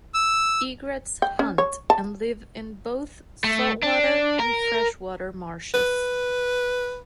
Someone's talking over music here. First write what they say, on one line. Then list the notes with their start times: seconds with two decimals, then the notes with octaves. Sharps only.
Egrets hunt and live in both saltwater and freshwater marshes.
0.14 E6
1.22 G5
1.39 C#4
1.58 C#5
1.90 A5
3.44 A3
3.83 D4
4.39 A#4
5.75 B4